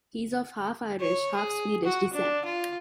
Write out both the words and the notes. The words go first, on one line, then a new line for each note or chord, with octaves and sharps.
He is of half-Irish, half-Swedish descent.
C#5
G#4
F#4
D4
F4